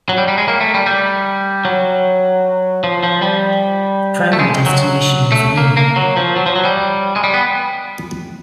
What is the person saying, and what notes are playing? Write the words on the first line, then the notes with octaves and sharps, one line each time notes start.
The primary destination was an inn.
F#3
G3
G3
G#3
A#3
A3
G3
G3
F#3
F3
F3
G3
A3
G#3
F#3
A3
A#3
A#3
F#3
F3
F#3
F3
F#3
G3
G#3
G3
B3